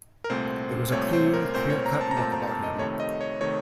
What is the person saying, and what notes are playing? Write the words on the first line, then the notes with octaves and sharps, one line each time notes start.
There was a clean, clear-cut look about him.
A#4
C2 A#2 A3 C4 C5
C2 A#2 A3 C4 C#5
C5
A#4
C2 A#2 A3 C4 C5
C#5
A#5
A5
A#5
C2 A#2 A3 C4 A5
A#5
A5
D#5
F2 C3 D#3 A3 C#5
D#5
C#5
C3 D#3 A3 C#5